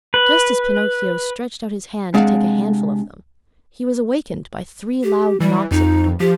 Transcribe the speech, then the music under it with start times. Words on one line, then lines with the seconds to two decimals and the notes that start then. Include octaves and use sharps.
Just as Pinocchio stretched out his hand to take a handful of them, he was awakened by three loud knocks at the door.
0.14 B4
2.14 C3 G#3 D4 F5 F#5
5.03 G4
5.40 E3 G3
5.71 F2 D#4
6.20 F3 G4